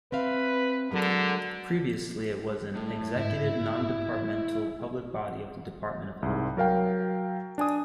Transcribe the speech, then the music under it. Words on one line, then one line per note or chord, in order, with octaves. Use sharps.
Previously it was an executive non-departmental public body of the Department of Health.
C4 B4 E5 F5
D3 F#3 G#3 A#4
A2
G#2 E4
C2 G#2
F#3 A#4 F5 G5
D4 G#5 D#6